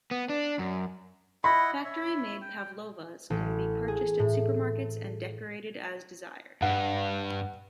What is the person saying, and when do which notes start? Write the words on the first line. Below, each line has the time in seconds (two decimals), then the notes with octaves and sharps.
Factory-made pavlovas can be purchased at supermarkets and decorated as desired.
0.11 B3
0.29 D4
0.59 F#2
1.44 E4 D#5 F#5 B5
1.84 C#5 E5
2.41 G5
3.30 A1
3.88 G#4
4.19 A2
6.62 G2 F#5